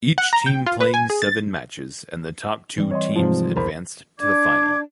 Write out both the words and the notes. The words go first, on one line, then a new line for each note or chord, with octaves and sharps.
Each team playing seven matches and the top two teams advanced to the final.
F#5
A#5
G5
F4
B4
G#5
G#4
A6
E3 G3 C4
C#5 D#5 C6
G#2 C3 F3
B1 E2 G2 A#4 C5 B5
D4 D5 D6 G#6